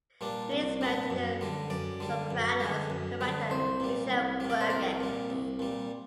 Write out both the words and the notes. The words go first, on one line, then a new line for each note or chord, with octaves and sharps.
Green is married to "The Sopranos" co-writer Mitchell Burgess.
A#2 G3 D4
C2
A#2 G3 D4
F#2
D3 G3
F#2 D5
D3 G3
F#2
D3 G3
F#2
D3 G3
C2 C5
A#2 G3
C2
A#2 G3
D5
C5
C2 A#4
A#2 G3
C2
A#2 G3